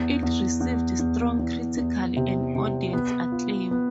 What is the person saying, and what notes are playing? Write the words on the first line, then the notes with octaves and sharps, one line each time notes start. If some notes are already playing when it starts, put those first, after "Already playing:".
It received strong critical and audience acclaim.
Already playing: E2
E2
E2
E2
E2
E2
C3
C3
B3
F4
B3